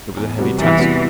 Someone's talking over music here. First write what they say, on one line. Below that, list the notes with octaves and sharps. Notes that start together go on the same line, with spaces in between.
It was a heavy task.
E2
C3 G3 B3 F#4
E2 E3
C3 G3 B3 F#4